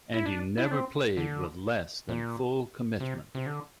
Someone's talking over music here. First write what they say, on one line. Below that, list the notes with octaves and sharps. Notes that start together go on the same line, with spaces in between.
And he never played with less than full commitment.
E4
D4
E4
D4
C4
D3
A#2
C3
C3
D3